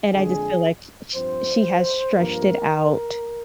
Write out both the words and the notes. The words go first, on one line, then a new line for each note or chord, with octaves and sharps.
and I just feel like sh she has stretched it out
F2 D3 G#3 G#4
G2 F3 C4 C5
G2 F3 A#3 A#4